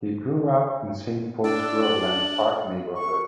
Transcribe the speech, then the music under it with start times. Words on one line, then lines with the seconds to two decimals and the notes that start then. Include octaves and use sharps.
He grew up in Saint Paul's Groveland Park neighborhood.
1.44 D4 D5 E6
1.83 F#7
2.94 C#6